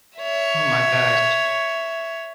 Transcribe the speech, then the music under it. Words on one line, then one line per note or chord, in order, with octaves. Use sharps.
Oh my gosh.
C#5 E5